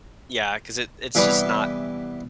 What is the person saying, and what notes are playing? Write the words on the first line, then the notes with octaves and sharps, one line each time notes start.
Yeah, 'cause it it's just not
C3 E3 G3 B3